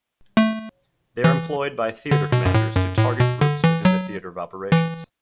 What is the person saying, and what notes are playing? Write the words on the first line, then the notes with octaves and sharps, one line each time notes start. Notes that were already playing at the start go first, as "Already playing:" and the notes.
They are employed by theater commanders to target groups within the theater of operations.
A3
E3
D3
B2
F#2
A2
F#2
A2
B2
D3
E3
F#3
E3